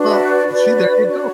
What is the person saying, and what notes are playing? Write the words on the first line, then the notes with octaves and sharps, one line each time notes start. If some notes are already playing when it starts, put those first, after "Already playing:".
Well, uh, see, there you go.
Already playing: D4 F#4 B4
E5
D5
D4 F#4 B4
D4 F#4 C#5